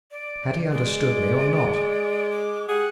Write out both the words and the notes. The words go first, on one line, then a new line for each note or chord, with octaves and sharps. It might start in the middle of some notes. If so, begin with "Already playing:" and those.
Had he understood me or not?
D5
G#3 D5
D6
G4 G#4 F#5